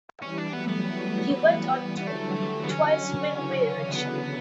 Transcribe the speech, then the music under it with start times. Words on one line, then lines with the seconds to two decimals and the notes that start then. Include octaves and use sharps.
He went on to twice win re-election.
0.22 E3 G3 C#4
0.38 D4
0.52 F#3 A3 B3
0.68 B3
0.83 E3 G3
1.97 B3
2.07 D3 F#3 A3
2.64 B3
2.69 C#4
3.30 C#3 E3
3.92 B3